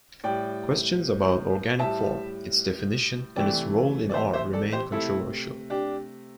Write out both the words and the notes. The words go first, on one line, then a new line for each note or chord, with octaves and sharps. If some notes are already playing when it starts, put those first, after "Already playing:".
Questions about organic form, its definition, and its role in art remain controversial.
A2 G3 D5 G5
A2 G3 E5 A5
C3 E3 A3 D5 G5
D5
C5 E5
C5 E5
A4 D5
G4 C5
C3 A3 E4 A4
D4 G4